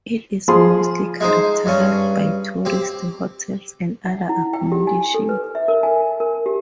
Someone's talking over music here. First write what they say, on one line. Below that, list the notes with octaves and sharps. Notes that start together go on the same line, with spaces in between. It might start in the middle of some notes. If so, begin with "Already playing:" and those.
It is mostly characterised by tourist hotels and other accommodation.
F3 G#4 C6
G#3 D#4 C5
G2 C#4
C4 G4
F#5
E4
G5
G4
G#5
A4
B4
E5
A#4
G#5
A#4
G4